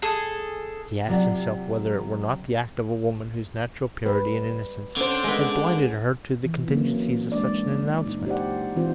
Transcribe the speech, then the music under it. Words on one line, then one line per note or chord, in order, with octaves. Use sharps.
He asked himself whether it were not the act of a woman whose natural purity and innocence had blinded her to the contingencies of such an announcement.
G#4 A4
C3 F#3 F4 D5 F#5
G3 B4
D3 C#4 C5
G#3 B3 C#4
E3
F#3 A#3 C4 C#4 E4
G#3 D4 D5
A#2 D#4
G4 C5 D5 F#5
E3 C4 D#4 F4 C5